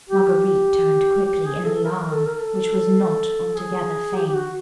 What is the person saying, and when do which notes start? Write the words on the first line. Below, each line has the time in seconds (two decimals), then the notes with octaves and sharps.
Marguerite turned quickly, in alarm, which was not altogether feigned.
0.09 G4
1.25 G4
1.45 G#4
1.64 A4
1.75 A4
1.84 A#4
2.13 A4
2.26 A#4
2.39 A4
3.57 G#4
4.15 G4
4.27 G4
4.34 F#4